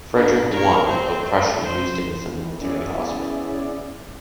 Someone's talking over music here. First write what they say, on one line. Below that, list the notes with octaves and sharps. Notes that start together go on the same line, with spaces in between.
Frederic I of Prussia used it as a military hospital.
A#3 D4
A#4 C#5
C4 C5
A3
C5
B3 C#4 E4 G#4 D5 E5